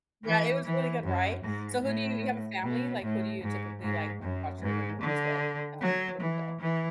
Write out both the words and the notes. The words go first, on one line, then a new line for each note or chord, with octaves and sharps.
Yeah, it was really good, right? So who do you you have a family, like, who do you typically, like, watch your movies with, um, when you go?
E3
E3
F#2
G#2
A2
B2
A2
G#2
G#2
F#2
G#2
D3
F#3
E3
E3